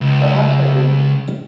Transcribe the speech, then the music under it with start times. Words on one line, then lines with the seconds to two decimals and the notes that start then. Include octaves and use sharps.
Perhaps I don't.
0.01 C#2